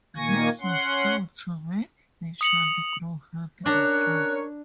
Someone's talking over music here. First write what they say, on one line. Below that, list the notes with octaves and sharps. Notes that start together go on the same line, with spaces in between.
This was thought to make the child grow healthy and strong.
A#2 D#3 A#3 G#5 C#6 A#6
C#4 F#5 C6
D#6 C#7 F#7
C#4 D4 A#4 C#5 A#5 F#6